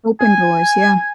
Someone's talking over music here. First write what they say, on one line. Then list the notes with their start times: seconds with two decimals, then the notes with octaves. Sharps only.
Open doors, yeah.
0.21 G#5